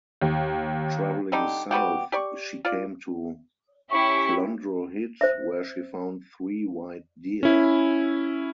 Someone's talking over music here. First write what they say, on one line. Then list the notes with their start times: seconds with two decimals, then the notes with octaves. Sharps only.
Travelling south, she came to Clondrohid where she found three white deer.
0.22 D#2
1.32 D3 G3 D#4 G4
1.71 G3 B3 F#4 G4
2.12 G4 D5 C#6
2.65 F4 D5
3.91 C#4 E4 G4 C#6
5.21 C5 E5
7.43 C#4 E4